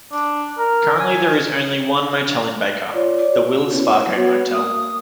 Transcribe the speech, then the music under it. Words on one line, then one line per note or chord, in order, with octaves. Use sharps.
Currently there is only one motel in Baker, the Wills Fargo Motel.
D4
A#4
G#5
F4 C#5 D5
F#4
B3 C#4 E4
B3 F#4 C#5
A#3 D#6